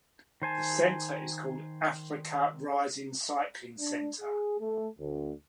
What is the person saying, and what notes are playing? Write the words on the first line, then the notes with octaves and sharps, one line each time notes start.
The center is called Africa Rising Cycling Center.
D#3 C5 G#5 A5
D4
G#4
A3
D2